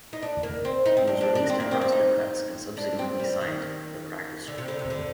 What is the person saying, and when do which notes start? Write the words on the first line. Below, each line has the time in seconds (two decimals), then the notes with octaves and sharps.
He was released at roster cuts and subsequently signed to the practice squad.
0.13 D#4
0.22 D4
0.43 A#3
0.65 C4
0.86 D#4
0.97 C4
1.07 D4
1.21 D4
1.35 D4
1.50 C4
1.60 A#3
1.71 C4
1.81 C4
1.92 D#4
2.77 D4
2.99 C4
3.20 G3
3.41 D#3
4.48 D3
4.58 C3
4.68 D3
4.79 C3
4.90 D3